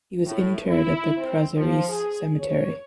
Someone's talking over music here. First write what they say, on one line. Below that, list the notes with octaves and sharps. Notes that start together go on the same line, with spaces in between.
He was interred at the Prazeres Cemetery.
A2
E4
C4
F3
G#4
C#5